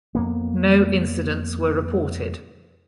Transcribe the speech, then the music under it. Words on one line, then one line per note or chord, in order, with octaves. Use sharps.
No incidents were reported.
F2 A#3 B3